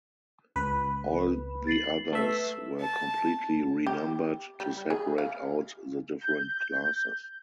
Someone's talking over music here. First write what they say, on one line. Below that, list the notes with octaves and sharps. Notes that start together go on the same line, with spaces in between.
All the others were completely renumbered to separate out the different classes.
C#2 B4 B5
A6 C7 F#7
A3 B4 E5
A5
G4
G3
G#4
F5
G6